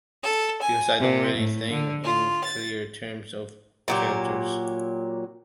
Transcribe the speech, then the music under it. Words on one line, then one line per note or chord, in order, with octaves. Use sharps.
Because I don't really think in clear terms of characters.
A4
G#5
C3
A2
D3
F4
A6
A#2 F#3 G4